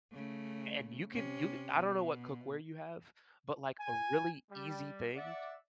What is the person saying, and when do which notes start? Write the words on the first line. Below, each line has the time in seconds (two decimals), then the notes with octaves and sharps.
and you can you can, I don't know what cookware you have, but, like, a really easy thing
0.12 C#3 A3
1.13 C3 C#4
1.76 B2
3.80 G#5
4.51 G3
5.16 D5 E5 F#5